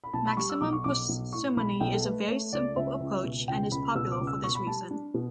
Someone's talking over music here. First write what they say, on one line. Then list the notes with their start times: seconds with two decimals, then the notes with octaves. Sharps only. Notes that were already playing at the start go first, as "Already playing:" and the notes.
Maximum parsimony is a very simple approach, and is popular for this reason.
0.04 B5
0.13 B1 A5
0.26 B5
0.37 G3 C#6
0.49 E6
0.61 B1 D6
0.73 C#6
0.84 B1 D6
1.09 B1
1.33 A2 C#6
1.56 B1 B5
1.80 B1 G5
1.93 A4
2.04 A3 B4
2.28 A3 C#5
2.53 C#2 D5
2.76 C#2 E5
3.00 C#2
3.24 B2
3.48 C#2 G5
3.72 C#2 B5
3.95 B2 E6
4.12 D6
4.20 C#2
4.27 E6
4.43 B2 C#6
4.55 B5
4.67 G3 A5
4.91 D4
5.14 B2